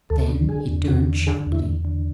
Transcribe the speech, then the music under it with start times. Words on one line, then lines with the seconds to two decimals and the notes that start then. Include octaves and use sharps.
Then he turned sharply.
0.10 D2 A4
0.30 D3
0.49 D3 G#4
0.68 E2
0.88 E2 F#4
1.07 D3
1.27 D3 G#4
1.46 E2
1.52 E4
1.66 E2
1.85 D3